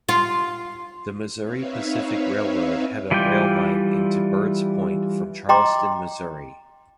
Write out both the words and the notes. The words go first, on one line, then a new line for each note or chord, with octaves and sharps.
The Missouri Pacific Railroad had a rail line into Birds Point from Charleston, Missouri.
F4
C4 D#4 B4 C#5 E5 F5
E3 G3 F4 D5 G5
D#5 G5 A#5 C6 D6